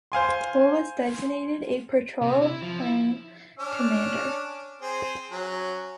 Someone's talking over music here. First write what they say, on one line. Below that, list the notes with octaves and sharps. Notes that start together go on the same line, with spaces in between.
Bull was designated a patrol plane commander.
C5 F5 G#5 C6
C3
E4
F3
E4
C#4 D4 F6
C4 G#4 C5
F#3 C#4